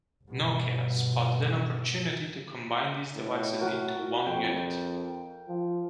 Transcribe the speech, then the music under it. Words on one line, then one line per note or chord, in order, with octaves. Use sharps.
Nokia spotted an opportunity to combine these devices into one unit.
G1 B2
A2
F#3 F#4 A#4
F2 G5
F3